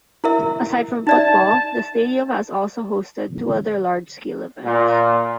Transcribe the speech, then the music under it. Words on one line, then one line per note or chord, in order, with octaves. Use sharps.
Aside from football, the stadium has also hosted two other large-scale events.
E4 A#4 E5
D#4 D5 E5 A5
A#2